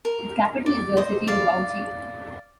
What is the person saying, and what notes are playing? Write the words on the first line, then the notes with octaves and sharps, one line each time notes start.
Its capital is the city of Bauchi.
A#4
D5
C5 D#5
D5 F5